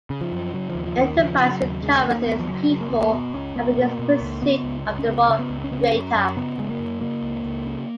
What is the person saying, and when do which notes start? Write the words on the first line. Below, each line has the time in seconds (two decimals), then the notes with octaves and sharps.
"Enterprise" recovers its people and begins pursuit of the rogue freighter.
0.10 C#3
0.21 F3
0.32 F#2
0.53 C#3 F#3
0.70 F3
0.75 D#2
0.86 F3
0.97 D#2
1.03 D#3
1.18 C#3 F3
1.40 C#3
1.51 F#3
1.62 D#2
1.83 C#3 G#3
2.05 D#2 A#3
2.26 D#2 B3
2.39 F3
2.47 C#3 F#3
2.69 C#3
2.81 A#3
2.90 D#2 B3
3.01 A#3
3.12 B2 B3
3.34 C#2 C#4
3.55 C#2 B3
3.78 B2 A#3
3.99 B2
4.21 C#2
4.42 C#3 B3
4.64 C#2
4.86 C#2
4.99 C#4
5.07 C#3 B3
5.29 C#3
5.39 B3
5.50 C#2
5.64 C#4
5.71 C#3 B3
5.80 C#4
5.94 F#2
6.15 F#2
6.36 C#3 B3
6.58 C#3 G#3
6.69 A#3
6.80 F#2
7.01 C#3 A#3
7.23 C#2
7.45 C#2
7.66 C#3